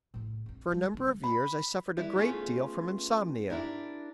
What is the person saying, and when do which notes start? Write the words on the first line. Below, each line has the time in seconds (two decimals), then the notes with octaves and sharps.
For a number of years I suffered a great deal from insomnia.
0.14 A2 C#3
0.46 C4 D4
0.71 E3 G3
0.94 C#3 B3
1.24 B5
1.97 G3 E4 B4
2.17 A3 B3 C#4 F4 G#4 B4
3.50 D4 E4 G4 A#4